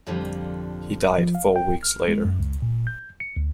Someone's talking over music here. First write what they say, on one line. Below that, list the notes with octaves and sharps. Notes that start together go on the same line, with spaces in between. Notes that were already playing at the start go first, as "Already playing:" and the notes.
He died four weeks later.
F2 A#2 D3 F3 G3
F3
F5
G5
F6
G#3
F#2
C#2
A#2
G6
C#7
D2